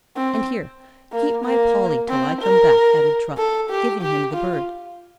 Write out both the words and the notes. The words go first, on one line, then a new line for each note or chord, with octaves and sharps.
"And here--keep my polly till I come back," added Trot, giving him the bird.
C4
A#3
A#3
C4
A#4
A4
G4
G4
F4